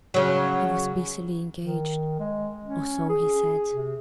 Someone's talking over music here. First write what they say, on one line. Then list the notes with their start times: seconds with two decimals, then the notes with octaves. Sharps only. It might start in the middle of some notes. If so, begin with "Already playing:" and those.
He was busily engaged; or so he said.
0.14 C#3 F#3
1.60 D#3
2.19 G#3
2.64 C#4
3.09 G#4
3.74 C3